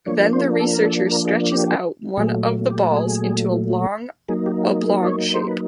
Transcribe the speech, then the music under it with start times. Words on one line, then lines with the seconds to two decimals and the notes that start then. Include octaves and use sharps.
Then the researcher stretches out one of the balls into a long oblong shape.
0.06 F3 A#3 D4 C#5
0.33 C5
0.59 A4
0.73 A#4
0.86 A4
1.11 A#4
1.25 G#4
1.52 G4
2.17 A#2 F#3 A3 G#4
2.70 G4
2.97 G#4
4.28 F#3 A#3 D#4 G#4
4.46 G4
4.63 G4
4.81 G#4
5.03 D5
5.08 C#5
5.34 C5
5.47 B4